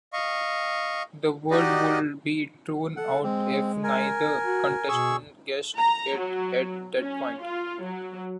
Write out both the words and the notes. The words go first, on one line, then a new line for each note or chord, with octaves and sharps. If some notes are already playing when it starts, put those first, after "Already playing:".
The word would be thrown out if neither contestant guessed it at that point.
D#5 F5 C#6
D#4 F#4 G4 D5 D#5
A4 F#5
G#3 C4
A#4 G#5
F#4
B2 G#4 C#6 E6
A#5
F#3
C#4
F4
F#3